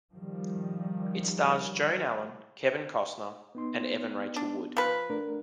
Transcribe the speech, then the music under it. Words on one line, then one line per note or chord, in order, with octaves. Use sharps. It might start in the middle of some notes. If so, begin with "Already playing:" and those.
It stars Joan Allen, Kevin Costner and Evan Rachel Wood.
D#3 F3 G3
B3 D#4 C6
D4
F3 B4
A3 D4 A#4